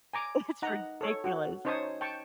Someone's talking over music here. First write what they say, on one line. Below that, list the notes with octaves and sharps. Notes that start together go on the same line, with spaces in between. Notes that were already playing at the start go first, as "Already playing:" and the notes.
It's ridiculous.
G#5 A#5 D6
D#4 F#5 A#5
A4 C#5
F#4 F#5
C#4 D#4 C5 C#5 A5 D#6
G5 A5 C#6